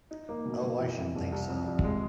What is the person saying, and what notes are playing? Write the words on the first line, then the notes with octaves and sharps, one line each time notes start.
Oh, I shouldn't think so.
D#4
A#3
B2
B2
E3
F2
C2
C2
F2
F2
G#3